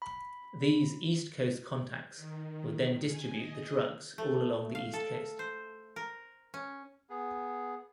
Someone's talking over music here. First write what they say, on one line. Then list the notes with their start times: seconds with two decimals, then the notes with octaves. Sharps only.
These East Coast contacts would then distribute the drugs all along the East Coast.
0.02 B5
2.16 D#3
3.07 G#5
3.36 D#5
4.18 A3
4.75 F5
4.94 A4
5.39 C5
5.96 A#4
6.54 C#4
7.10 B3 G#4